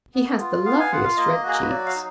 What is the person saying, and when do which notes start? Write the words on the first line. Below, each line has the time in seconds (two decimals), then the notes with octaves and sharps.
He has the loveliest red cheeks.
0.14 B3
0.40 F4
0.66 B3 F5
0.80 G#5
0.92 F4 F#5
1.04 F5
1.17 A#3 D#5
1.43 F#4 G#4
1.54 A#4
1.62 B4
1.69 F#3 D5
1.86 F5
1.95 D#4